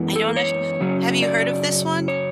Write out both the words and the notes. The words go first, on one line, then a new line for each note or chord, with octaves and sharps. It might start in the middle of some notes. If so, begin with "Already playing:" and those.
I don't know if you've have you heard of this one?
Already playing: F#2 E3 G#3 B3
A4
C#5
F#2 C#3 F#3 C#4
D5
C#5